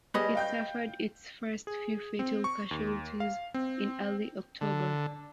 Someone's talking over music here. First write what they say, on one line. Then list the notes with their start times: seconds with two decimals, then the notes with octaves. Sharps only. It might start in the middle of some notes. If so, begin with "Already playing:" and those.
It suffered its first few fatal casualties in early October.
0.14 G3 G4 G#4 B4 C#5 D#5
0.35 F5 G5 G6
1.67 G#4
2.19 C4
2.44 C#6
2.71 D#2
3.20 F5
3.54 C4
4.61 D3